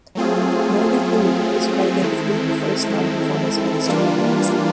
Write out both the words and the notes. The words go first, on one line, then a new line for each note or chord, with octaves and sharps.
Morgan Llwyd is credited with being the first Nonconformist minister in Wrexham.
F#3 A3 C4 F4 G#4
D#3 G#3 C4 E4 A4
E3 G3 A#3 D4 F4